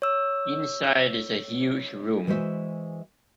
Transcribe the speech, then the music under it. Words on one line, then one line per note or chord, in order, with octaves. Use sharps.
Inside is a huge room.
C#5 E6
E3 G#3 F#4 C5 E5